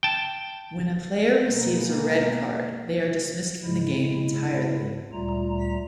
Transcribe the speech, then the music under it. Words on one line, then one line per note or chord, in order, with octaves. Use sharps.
When a player receives a red card, they are dismissed from the game entirely.
G5 A5
B2 G#3 A#3 B3
G#2 C#3 G#3 E4
D2 A#2 G3 A3 F4 A#5